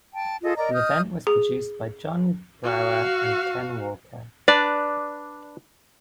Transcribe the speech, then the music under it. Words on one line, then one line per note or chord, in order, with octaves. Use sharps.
The event was produced by John Brower and Ken Walker.
G5 A5
F4 G#4 A4 D#5
A#4 D5 D#5 A#5
D#6 F6 G6
G#4
F#4 F5
D4 B4 D5